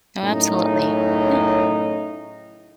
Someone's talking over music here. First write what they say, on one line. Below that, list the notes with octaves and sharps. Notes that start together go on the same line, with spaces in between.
Oh, absolutely. Yeah.
F#2 A2 C#3 C#4 D#4